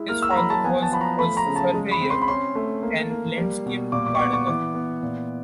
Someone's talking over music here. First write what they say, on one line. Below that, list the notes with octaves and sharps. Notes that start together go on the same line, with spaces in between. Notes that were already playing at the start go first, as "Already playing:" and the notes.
His father was a surveyor and landscape gardener.
Already playing: G#3 E4
A#3 F6
E6
A#5
F#3 B5
A5
B3 G#5
A5
F3 B5
A#5
A3 B5
A#5
C#3
A5
G#3
B5
C4
C6
B5
C#4 C6
A3
A#3
A#3
G3
B2
A#2 D6
D6
C#6
B3 D6
C#6
E3 D6
B3
A#2